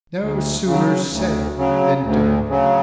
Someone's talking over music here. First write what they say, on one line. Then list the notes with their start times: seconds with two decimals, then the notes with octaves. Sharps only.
No sooner said than done.
0.19 D2
0.65 C#3
0.70 F#3
1.11 D2
1.56 C#3 F#3
2.03 D2
2.48 C#3 F#3